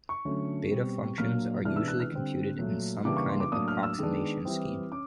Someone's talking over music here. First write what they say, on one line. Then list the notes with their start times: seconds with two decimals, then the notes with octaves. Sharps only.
Beta functions are usually computed in some kind of approximation scheme.
0.09 C#6
0.25 D3 F#3 A3 C#4
0.71 B2 G3 C4
1.18 A#2 F#3 A#3 D4 F6
1.65 C3 E3 G#3 B3 D4 F6
1.76 E6
1.88 F#6
2.00 F6
2.12 D3 G3 C4
2.58 A#2 F#3 A3
3.05 C#3 E3 G3 A#3 D4 D6
3.17 C#6
3.29 C6
3.40 D6
3.52 A2 F#3 A#3 D4 D#6
3.68 F6
3.83 E6
3.98 D#3 G#3 B3 D4
4.45 E3 G3 C4
4.92 C#4 D6